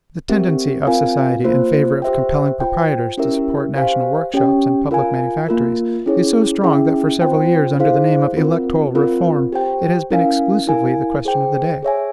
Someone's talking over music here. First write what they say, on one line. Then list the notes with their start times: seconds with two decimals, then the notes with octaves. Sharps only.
The tendency of society in favor of compelling proprietors to support national workshops and public manufactories is so strong that for several years, under the name of ELECTORAL REFORM, it has been exclusively the question of the day.
0.29 C4 G4 A#4 E5
0.87 C4 F4 A#4 F5 G#5
1.44 A#3 F4 C5
2.02 G4 C5 E5 G5
2.60 F4 C5 G5
3.18 C#4 E4 G4 A#4 E5
3.75 G4 C5 F5 G#5
4.34 C#4 G4 C#5 G5
4.91 F4 A#4 F5 G#5
5.48 A#3 F4 A#4
6.06 C#4 E4 G#4 C#5
6.64 C#4 E4 G#4 E5 G5
7.21 C4 F4 C5 G5
7.79 E4 G#4 C5 F5
8.37 C4 F4 A#4
8.95 C4 F4 A#4
9.53 G4 C5 G5
10.10 C#4 E4 A#4 F5 G#5
10.67 E4 A#4 F5 G#5
11.25 G#4 C5 G5
11.83 G#4 C#5 E5 G#5